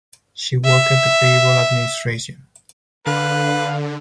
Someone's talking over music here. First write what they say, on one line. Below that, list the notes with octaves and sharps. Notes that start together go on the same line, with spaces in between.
She worked at the payroll administration.
E5
D3 B4 F5